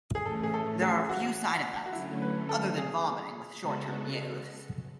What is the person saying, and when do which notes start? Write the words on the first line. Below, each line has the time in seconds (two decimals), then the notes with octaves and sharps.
There are few side effects, other than vomiting, with short term use.
0.15 G#4
0.26 A2 E3 A3 C#4 A4
0.43 G#4
0.54 A4
0.82 G#4
1.09 F#4
1.86 F#4
1.93 D3 F#3 A3 C#4 E4
2.22 B4
2.49 A4
2.78 G#4
3.61 C#3 G#3 B3 F#4 A4